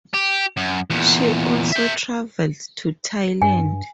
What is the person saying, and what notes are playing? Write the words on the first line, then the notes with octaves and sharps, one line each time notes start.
She also travelled to Thailand.
G4
F#2
E2 A#2
E5 G5
G2 G#5